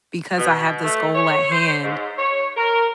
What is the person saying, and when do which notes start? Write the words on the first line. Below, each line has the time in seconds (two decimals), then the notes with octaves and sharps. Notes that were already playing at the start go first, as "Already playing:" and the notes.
"Because I have this goal at hand,
0.38 B2
0.84 A3
1.15 C#5
1.52 C5
1.84 G#2
2.18 C#5
2.57 A#4